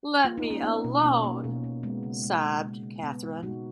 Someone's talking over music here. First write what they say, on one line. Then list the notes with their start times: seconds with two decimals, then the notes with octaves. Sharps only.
'Let me alone,’ sobbed Catherine.
0.24 A#3 F4
0.37 D#4
0.44 A#3
0.50 C#4
0.63 A#3 B3 D#4
0.84 B2
1.03 B2 A#3 C#4
1.24 A#3
1.44 B2
1.64 B2
1.83 G#3 B3
2.03 C#3
2.23 G#3
2.43 G#3
2.63 G#3
2.83 C#3
3.03 C#3 B3
3.22 G#3
3.43 B2 D#4 F#4